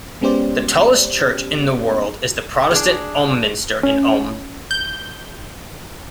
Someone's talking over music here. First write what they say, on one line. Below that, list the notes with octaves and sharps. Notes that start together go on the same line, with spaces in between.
The tallest church in the world is the Protestant Ulm Minster in Ulm.
G#3 B3 C#4 G4 C5 D5
D4 G#4
C#4
G6